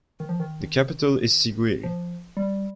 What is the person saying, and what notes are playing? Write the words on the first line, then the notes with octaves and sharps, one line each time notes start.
The capital is Siguiri.
D#3
F3
D#3
F3
G3